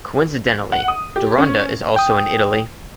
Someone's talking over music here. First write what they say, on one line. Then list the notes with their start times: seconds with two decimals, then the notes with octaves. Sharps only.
Coincidentally, Deronda is also in Italy.
0.72 F#5
0.88 D#6
1.16 G4
1.38 C#4
1.96 G5 D#6